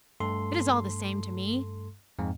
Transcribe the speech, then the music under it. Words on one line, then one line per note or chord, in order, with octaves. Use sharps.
It is all the same to me.
G2 A3 A4 C6
F2 G#2 G#3 C4